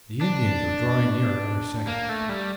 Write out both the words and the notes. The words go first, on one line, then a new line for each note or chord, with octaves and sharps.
The Indians were drawing nearer every second now.
D4
A#3
A3
G3